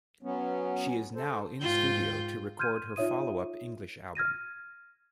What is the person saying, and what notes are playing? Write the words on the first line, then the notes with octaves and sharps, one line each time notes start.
She is now in studio to record her follow-up English album.
F#3 B3 C#4
A4 C5
G#2 F4 G5 G6
C6 F6 G6 G#6 D#7
D#4 F4 C#5 E5 D#6 D#7
F6 G#6 A#6 D#7